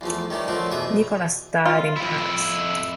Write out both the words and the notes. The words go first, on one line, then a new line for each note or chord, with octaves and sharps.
Nicolas died in Paris.
E2 F3 A3
D#3 G3 A3 C#4
D3 F3 A3 C4 D4
E2 B2 E5 D#6
F4
F2 E4